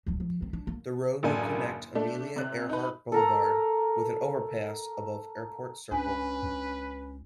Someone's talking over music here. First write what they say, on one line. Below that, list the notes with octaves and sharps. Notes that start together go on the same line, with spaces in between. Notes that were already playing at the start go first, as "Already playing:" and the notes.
The road would connect Amelia Earhart Boulevard with an overpass above Airport Circle.
D1 F#3
F3
D3 C4
D4
A#3
A1 F#2 C#3 A#3 D4 G#5
A3 D4
C3 F#6
D#4 B4
A4 A#4 A#5
C#2 C#4 D4 B4 G#5